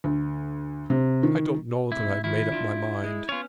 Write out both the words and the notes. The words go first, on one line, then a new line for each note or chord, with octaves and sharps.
I don't know that I've made up my mind.
D2
C3
D#3
A2 C3 E4
D#3 F3 E4
D4 F4
G#3
B3 C#4 F4 C#5